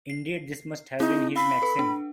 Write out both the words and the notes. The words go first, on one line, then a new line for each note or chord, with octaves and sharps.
Indeed this must have been his maxim.
C7
C4 D#4 E4 G#4
F5 B5 E6 C7
A4 B4
D4